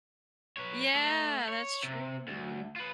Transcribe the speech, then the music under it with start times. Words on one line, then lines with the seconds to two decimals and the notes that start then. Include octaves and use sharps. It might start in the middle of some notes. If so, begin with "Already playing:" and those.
Yeah, that's true.
0.57 B4 C#5
0.95 A3
1.48 C#5
1.83 C3
2.28 D2
2.76 F4 B4